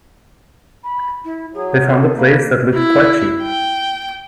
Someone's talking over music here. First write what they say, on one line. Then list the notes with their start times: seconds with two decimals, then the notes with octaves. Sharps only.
They found a place that looked quite cheap.
0.84 B5
1.25 E4
1.54 F#3 G#4
1.90 A4
2.16 A#3 B4
2.74 E4
3.42 G5